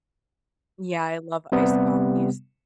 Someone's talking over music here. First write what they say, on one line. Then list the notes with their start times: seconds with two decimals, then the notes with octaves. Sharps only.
Yeah, I love iced coffees.
1.52 C3 G3 B3